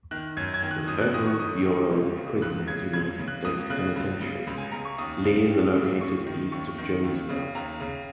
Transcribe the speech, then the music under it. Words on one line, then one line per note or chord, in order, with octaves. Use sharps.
The Federal Bureau of Prisons United States Penitentiary, Lee is located east of Jonesville.
D#3 F#6
F#2 G#6
G#6
D#3
F#6
F#2 D#6
F#6
D#3 D#6
C#6
F#2 D#6
D#3
C#2
C#3
C#2 F#6
C#3 G#6
C#2 G#6
C#3
F#6
C#2 D#6
C#3 F#6
C#2
C#3
C#2
G#5
C#3 A#5
C#6
D#2 D#6
C#3
D#2
C#3
D#2 C#6
D#3
D#2 C#6
D#3
D#2
C#3
D#2 A#5
C#3